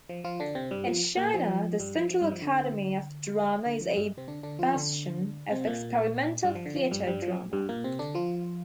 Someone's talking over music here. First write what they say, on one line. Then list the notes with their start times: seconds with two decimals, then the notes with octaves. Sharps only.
In China, The Central Academy of Drama is a bastion of experimental theater drama.
0.09 F3
0.24 F3 F4
0.40 D3 D4
0.55 C3 C4
0.71 G2 G3
0.87 F3
1.17 A#2 A#3
1.34 F3
1.80 G2 G3
1.95 F3
2.10 F3
2.21 G2 G3
2.32 F3
2.42 D3
3.66 D3
3.81 F3
3.97 G2 G3
4.17 C3 C4
4.28 D3 D4
4.43 D3 D4
4.59 F3 F4
4.74 D3 D4
5.51 C3 C4
5.67 A#2 A#3
6.44 G2 G3
6.55 F3
6.66 D3
6.76 F3
6.91 G2 G3
7.07 G2 G3
7.22 F3
7.53 G2 G3
7.69 A#2 A#3
7.84 C3 C4
7.99 D3 D4
8.15 F3 F4